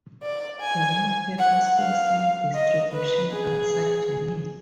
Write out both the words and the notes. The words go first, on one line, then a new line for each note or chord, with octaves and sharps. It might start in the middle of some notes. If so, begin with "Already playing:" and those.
The newspaper saw some distribution outside Germany.
D5
G#5
F#5
F5
D#5
B4
G#4